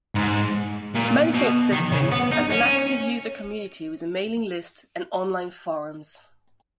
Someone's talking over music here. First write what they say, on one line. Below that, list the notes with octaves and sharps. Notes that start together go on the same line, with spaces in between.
Manifold System has an active user community with a mailing list and online forums.
G#2
A#2
B2
D#3
C#3
B3
D#4
C#4